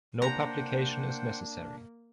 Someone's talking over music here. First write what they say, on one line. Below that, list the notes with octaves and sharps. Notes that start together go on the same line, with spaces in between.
No publication is necessary.
A#3 D4 C5 F#5 G5 A#5